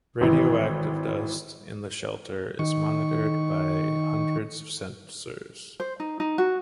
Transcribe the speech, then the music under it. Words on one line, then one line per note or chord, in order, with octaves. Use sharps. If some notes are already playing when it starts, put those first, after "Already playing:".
Radioactive dust in the shelter is monitored by hundreds of sensors.
G#1 E3
D#3 C#6
C5
D#4
D#4
F#4